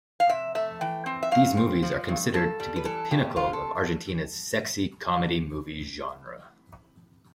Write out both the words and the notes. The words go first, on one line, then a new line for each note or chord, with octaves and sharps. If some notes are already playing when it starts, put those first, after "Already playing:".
These movies are considered to be the pinnacle of Argentina's sexy comedy movie genre.
F5
C3 E5
A3 E5
E3 G5
C4
E5
G2 F5
C4
F3
G2
G2 A4
G3
B4
E3 A4
G2 G4
C3 F4
A4